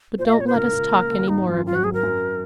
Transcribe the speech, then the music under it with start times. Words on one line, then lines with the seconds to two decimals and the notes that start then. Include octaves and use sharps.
"But don't let us talk any more of it."
0.19 A#2 C5
0.26 F5
0.33 D#5
0.37 A#2 C#5
0.47 C5
0.55 C#2 A#4
0.73 C#2
0.92 A#3
1.10 D#2
1.28 G#1 D#4
1.47 F#2 F4
1.66 G#1 F4
1.75 F#4
1.84 F#3 G#4
1.93 A#4
2.03 F#2